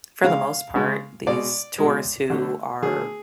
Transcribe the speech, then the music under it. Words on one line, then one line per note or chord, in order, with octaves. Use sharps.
for the most part, these tourists who are-
C#3 G#3 F5
C#3 G#3
B2 G#3 D5
B2 G#3
D3 F#3 A3
D3 F#3 A3 G#4